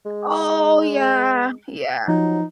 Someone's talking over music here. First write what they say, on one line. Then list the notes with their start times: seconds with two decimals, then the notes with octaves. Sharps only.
Oh yeah, yeah,
0.06 G#3
2.08 F3 F#3 D#4